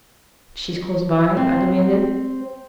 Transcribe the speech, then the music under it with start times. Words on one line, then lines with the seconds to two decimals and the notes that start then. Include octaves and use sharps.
"She's close by?" I demanded.
1.37 C4